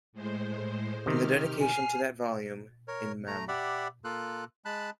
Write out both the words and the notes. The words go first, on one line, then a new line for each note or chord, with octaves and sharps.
In the dedication to that volume, In Mem.
A2 G#3 C5
C3 D#3 G4 F6
G#5 F6 C7
A#4 C#5
A3 A#5
G4 D5 E5 F#5 B5
A#3 F4 A4 F#6
G#3 A5 B5 F#6